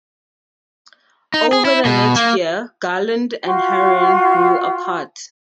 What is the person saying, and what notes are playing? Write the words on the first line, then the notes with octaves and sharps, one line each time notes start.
Over the next year Garland and Herrin grew apart.
D#4
G#4
E4
B2
A#3
F4 F#4 G5 C6